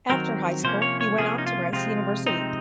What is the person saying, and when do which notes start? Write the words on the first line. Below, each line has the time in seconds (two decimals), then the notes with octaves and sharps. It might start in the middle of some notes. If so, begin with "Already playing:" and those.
After high school, he went on to Rice University.
0.10 D#3 F#3 C4 A#4
0.64 C3 F3 A#3 C#4 C5
0.82 C#5
1.01 C#5
1.18 C3 F3 A#3 C#4 G#4
1.38 D#4
1.46 F4
1.73 C3 F3 G#3 C4 F4
2.27 C3 F3 G#3 C4 D#4